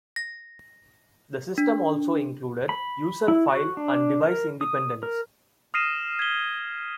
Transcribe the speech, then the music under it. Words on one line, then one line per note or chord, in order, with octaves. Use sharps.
The system also included User file and Device independence.
A#6
D4
B5
E4
F#4
D4
A#4
D#6
A#4
D#6 F6 A#6 C7 D#7 E7
G#6 B6 G7